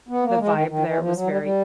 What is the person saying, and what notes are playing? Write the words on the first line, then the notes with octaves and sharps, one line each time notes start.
The vibe there was very
B3
A#3
G#3
D#3
D#3
E3
F3
F#3
G3
G3